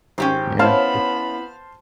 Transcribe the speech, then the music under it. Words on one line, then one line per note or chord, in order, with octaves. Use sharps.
Yeah, it
G#1 C#4 G4 C5 G5
B3 C#4 E4 C5 F5 A5 B5 F6